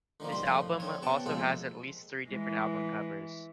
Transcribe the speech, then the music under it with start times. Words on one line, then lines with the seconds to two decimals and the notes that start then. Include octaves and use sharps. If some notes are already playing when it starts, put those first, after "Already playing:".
This album also has at least three different album covers.
0.20 D3 D#3 F3 A#3
0.32 G3 C5 B5 C6
0.46 F2 A2 F3
0.80 D3 C4 C#5
1.02 C3 B3 G5 A5 C#6
1.26 A#1 F2 G#3 A4
2.28 E3 G#3